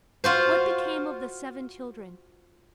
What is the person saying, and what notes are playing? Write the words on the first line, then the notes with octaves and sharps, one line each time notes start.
What became of the seven children?
F4 F#4 C5